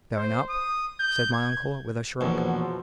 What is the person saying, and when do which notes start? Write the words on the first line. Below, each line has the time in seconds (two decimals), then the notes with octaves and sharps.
"Going up!" said my uncle, with a shrug.
0.17 C5
0.49 D#6
1.00 G6
1.33 G#6
2.21 A#1 E2 B2 F3 F#3